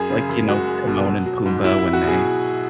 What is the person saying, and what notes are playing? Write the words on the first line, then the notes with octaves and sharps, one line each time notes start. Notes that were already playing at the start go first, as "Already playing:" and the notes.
like, you know, Timon and Pumbaa when they
Already playing: F#2 G#4
C#3
F#2
G#3 F#4
G#3
B2
F#3
F#3
G#2
F#3 E4
F#3 E4
F#4
B2
G#4